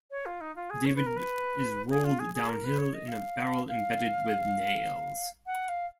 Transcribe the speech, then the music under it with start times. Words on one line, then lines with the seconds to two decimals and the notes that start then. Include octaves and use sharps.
David is rolled downhill in a barrel embedded with nails.
0.11 C#5
0.26 F4
0.41 D#4
0.56 F4
0.70 G#4
0.85 C#5
0.96 B4
1.06 A#4
1.17 B4
1.90 G#4
2.04 F4
2.19 G#4
2.34 G#4
2.49 A#4
2.64 B4
2.78 C#5
2.94 D#5
3.08 F5
3.68 F5
5.46 F#5
5.69 F5